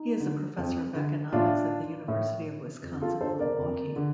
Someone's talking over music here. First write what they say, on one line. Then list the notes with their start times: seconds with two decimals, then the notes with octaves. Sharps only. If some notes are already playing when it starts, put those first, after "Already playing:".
He is a professor of economics at the University of Wisconsin-Milwaukee.
Already playing: D#4
0.20 D3
0.58 F2
0.95 D3
1.33 A2 D4 F4
2.08 A2
2.83 F2
3.02 F4 A4
3.21 D3 A4 C5
3.39 A#4 D5
3.58 F2
3.96 D3